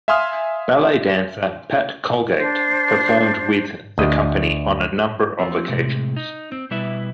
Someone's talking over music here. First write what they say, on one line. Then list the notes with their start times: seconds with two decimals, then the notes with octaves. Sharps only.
Ballet dancer Pat Colgate performed with the company on a number of occasions.
0.08 E5 F5 G#5 C6 D#6 F6
2.39 D4 C5
3.98 D2 D#5
5.39 F3 C4
5.69 A2 C3 G#3
6.16 D#4
6.52 C4
6.71 B2 G3 E4 B4 E5